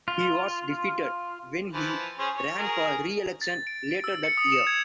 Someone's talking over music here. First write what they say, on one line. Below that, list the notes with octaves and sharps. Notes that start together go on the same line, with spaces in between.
He was defeated when he ran for reelection later that year.
F4
E3 F3
C#4 G#4 C5
C#5
F#4 G#4 A#4
A6
D7
D7
E6
C#7
D#6
E7
G#6